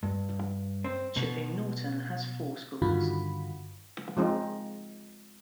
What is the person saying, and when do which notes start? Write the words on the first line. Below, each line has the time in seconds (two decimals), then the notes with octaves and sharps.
Chipping Norton has four schools.
0.03 G2
0.84 C4
1.16 B2
2.82 G2 D3 D#3 F4 F#4 B5
4.17 F3 G#3 C4 D#4